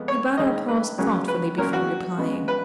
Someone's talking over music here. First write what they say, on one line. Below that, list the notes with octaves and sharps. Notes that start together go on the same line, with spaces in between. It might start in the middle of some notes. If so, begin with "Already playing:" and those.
Ibarra paused thoughtfully before replying.
Already playing: F2 G#3 B3
C#5
D#2 C#3 G#3 C#4 D#5
B4
C#2 C#3 F#3 A#3 C#4
B4
A#2 F#3 C#4 A#4
F#4
C#3 G#3 B3
B4